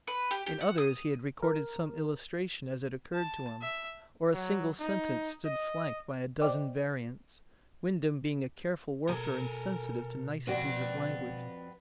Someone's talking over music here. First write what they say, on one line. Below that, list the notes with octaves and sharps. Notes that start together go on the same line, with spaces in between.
In others he had recorded some illustration as it occurred to him; or a single sentence stood flanked by a dozen variants--Wyndham being a careful worker and sensitive to niceties of language.
B4
G4
G4
F#5
D#6
A#4
A5
E5
F#3
D#4
D#5
C5 D5 D#5 G5 D6
B2 A4 A#4 G#5
F2 F#4 B4 D5 G5